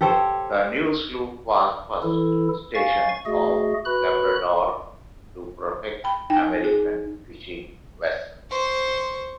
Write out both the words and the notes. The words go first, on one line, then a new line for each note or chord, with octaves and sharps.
The new sloop was first stationed off Labrador to protect American fishing vessels.
G4 A4 C5 C#5
E3 E4 A4
F5 G#5 C#6 A6
A3 F#4 G#4 D#5
F#4 B4 B5 F#6
G5 B5
D#4 G5 G#5
G#4
C5 C#6